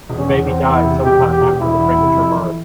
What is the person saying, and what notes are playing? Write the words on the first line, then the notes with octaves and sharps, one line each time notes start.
The baby died some time after the premature birth.
E1
C#4
E2
E2 C4
E2
E4
C3
E1 G4
E2
G4
E1
E1 E4
E2
C3
F2
E3